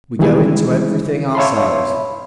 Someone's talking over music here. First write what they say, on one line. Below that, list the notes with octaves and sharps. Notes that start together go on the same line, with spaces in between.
We go into everything ourselves.
D#3 E3 G3 G#3 E4 G#4
C#5 E5 F5 A5 B5 C6